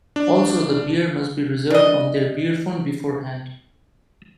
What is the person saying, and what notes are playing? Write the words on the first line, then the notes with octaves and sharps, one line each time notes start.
Also, the beer must be reserved on their "beerphone" beforehand.
D4
D4 D#5